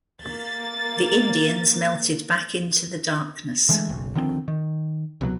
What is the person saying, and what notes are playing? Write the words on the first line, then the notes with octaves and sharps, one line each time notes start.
The Indians melted back into the darkness.
A#3 A6
D3 E3 G#3 A3
F#1 B1
D3 D#3 F3 C4
D#3
C2 B2 F3 F#3